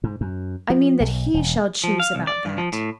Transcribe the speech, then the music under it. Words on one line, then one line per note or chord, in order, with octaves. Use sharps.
"I mean that he shall choose about that."
G#2
F#2
F3
B1
E1
F3
F5
C2
D5
G2
F3
A2